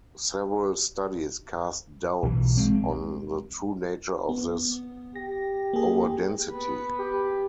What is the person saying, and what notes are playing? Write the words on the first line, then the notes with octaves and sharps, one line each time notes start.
Several studies cast doubts on the true nature of this overdensity.
B1 E3
G#3 C4
B3
G4 A#6
A#3 G#4
B3 B4
G4